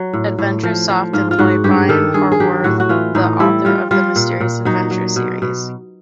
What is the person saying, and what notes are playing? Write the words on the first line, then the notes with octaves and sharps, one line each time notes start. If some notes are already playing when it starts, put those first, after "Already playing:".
Adventure Soft employed Brian Howarth, the author of the "Mysterious Adventures" series.
Already playing: F#3
A2
A2
F3
F3
G#2 F4
F4
G#2 F#4
G2 G4
D#3 A4
G2 G#4
G#4
F#3 G4
A2 F#4
F#4
E3 F4
A2 D#4
G3 E4
G3 F4
G3 F4
A#2
A#2
F#3 D#4
F#3
B2
B2